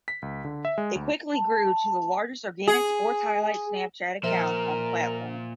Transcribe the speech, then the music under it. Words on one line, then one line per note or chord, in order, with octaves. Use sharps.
It quickly grew to the largest organic sports highlight Snapchat account on the platform.
B6
C#2
D3
E5
G#3
D2
A5
G#4
A#2 F3 A#4 C5 E5